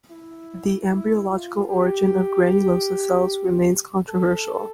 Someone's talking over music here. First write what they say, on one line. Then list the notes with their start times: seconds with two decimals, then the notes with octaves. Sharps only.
The embryological origin of granulosa cells remains controversial.
0.10 E4
0.90 E4
1.30 F4
1.69 G4
4.09 A4